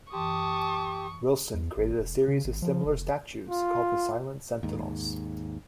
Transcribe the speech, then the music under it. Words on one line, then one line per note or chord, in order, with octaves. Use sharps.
Wilson created a series of similar statues called the Silent Sentinels.
F#2 E3 G4 A5 C6 C#6 D#6
E2
G#1
E1
C#3
G#1
F3
F1
F4
D#2 G#2